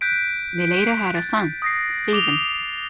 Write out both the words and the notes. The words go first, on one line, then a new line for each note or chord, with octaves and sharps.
They later had a son, Steven.
F#6 G6 B6 D7
D7
A6
D#6 A#6 C7
D6 E7 F7 G7